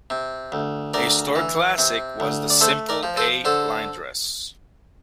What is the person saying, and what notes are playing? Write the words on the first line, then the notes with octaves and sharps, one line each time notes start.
A store classic was the simple A-line dress.
C3
D2
D2 A#4 D5
E3
C3
D2
D5
A3 A4 C5
A#4 D5
F3
A4 C5
D3 A4 C5